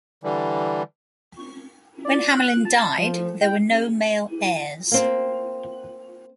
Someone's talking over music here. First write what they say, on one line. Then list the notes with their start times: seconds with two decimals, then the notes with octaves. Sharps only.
When Hamelyn died, there were no male heirs.
0.24 D3 E3 G3
2.05 D5
2.36 F#6
2.65 A5
2.98 F3
3.41 G5
4.91 A#3 C4